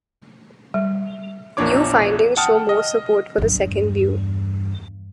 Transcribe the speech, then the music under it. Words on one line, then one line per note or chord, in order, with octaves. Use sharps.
New findings show more support for the second view.
G3
A#1 E2 F3 D4 C#5 D6
F#5 G5 A5 D#6 F6
D#5
E2 G2